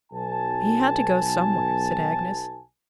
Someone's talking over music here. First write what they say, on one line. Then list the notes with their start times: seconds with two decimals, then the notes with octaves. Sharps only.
"He had to go somewhere," said Agnes.
0.13 B1 G#5 A5